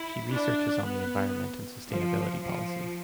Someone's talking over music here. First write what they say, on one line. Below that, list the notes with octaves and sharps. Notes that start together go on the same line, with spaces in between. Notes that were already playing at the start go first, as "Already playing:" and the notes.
She researches on the environment and sustainability policy.
Already playing: E4
D4
B3
F3
F3